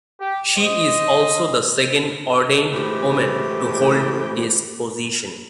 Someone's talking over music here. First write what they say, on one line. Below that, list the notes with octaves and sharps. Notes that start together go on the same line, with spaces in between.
She is also the second ordained woman to hold this position.
G4
C5 D#5
A2 E3 F3 G#3 A3 G4